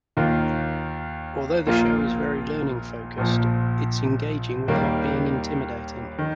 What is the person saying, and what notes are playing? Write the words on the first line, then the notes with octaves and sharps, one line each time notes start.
Although the show is very learning-focused, it's engaging without being intimidating.
D#2 D#3 A#3 F4
A#1 A#2 A#3 F4
A#1 A#2 F3
D#2 D#3 G3 A#3
D#3